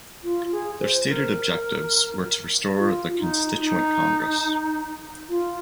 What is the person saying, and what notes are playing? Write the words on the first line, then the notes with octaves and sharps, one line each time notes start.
Their stated objectives were to restore the Constituent Congress.
F4
G#4
C5
A#4
G4
F4
D#4
D#4
F4